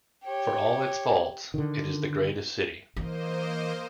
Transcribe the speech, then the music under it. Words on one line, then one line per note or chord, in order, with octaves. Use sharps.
For all its faults, it is the greatest city.
G4 C#5
D3 D#3
E3 A#3 C5 D#5